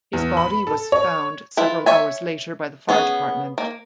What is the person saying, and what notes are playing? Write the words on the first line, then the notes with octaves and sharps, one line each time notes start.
His body was found several hours later by the fire department.
E2
B5
A4
C#5
E4 F4 B4
C#5 E5 G#5
B3 C#4 G#4
A#3